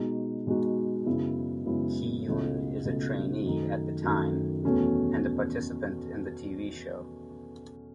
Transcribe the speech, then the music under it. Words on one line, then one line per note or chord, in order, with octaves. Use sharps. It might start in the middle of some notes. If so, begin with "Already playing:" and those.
Kihyun is a trainee at the time and a participant in the TV show.
Already playing: B2 G#3 D#4 F#4
B2 G#3 D#4 F#4
F#2 C#3 G#3 B3 E4
F#2 C#3 G#3 B3 E4
C#2 B2 A3
C#2 B2 A3
F#2 D#3 A3 D#4
F#2 D#3 A3 D#4
E2 B2 A3 C#4 F#4